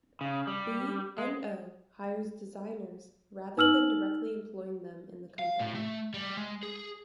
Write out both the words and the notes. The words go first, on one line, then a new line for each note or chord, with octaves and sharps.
B and O hires designers rather than directly employing them in the company.
C#3
G3
G#3
D#4 E6 F6 F#7
F5
A2
A3
G3
G#3
G#4